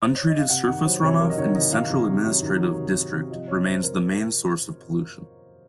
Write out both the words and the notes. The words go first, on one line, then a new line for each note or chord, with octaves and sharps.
Untreated surface runoff in the Central Administrative District remains the main source of pollution.
C5
C#5
D#5
F5
C3 F#5
D#3 F#5
F#3 C5
C3 C#5
F#3 A#4
D#5
D#3 C#5
C3 D#5
D#3 F5
C3
C3
F#3
D#3
F#3
C3
D#3
C3
F3 D#5
C3 C#5
C3 C5
C3 A#4